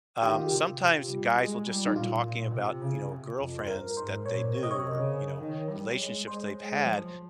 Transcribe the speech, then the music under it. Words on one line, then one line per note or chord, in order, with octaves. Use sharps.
Um, sometimes guys will just start talking about, you know, girlfriends that they knew or, you know, relationships they've had
D#3 G4
F4
G4
C3
C3
G3
G#3
G3
D#4
A#2 F4
A#2
C3
C#3
C3
F2
C5
G2 A#4
G#2 C5
A#2 C#5
C3 C#5
D#5
C#5
C#3
D#3
G3
G#3
G#3 C5
G#3
F3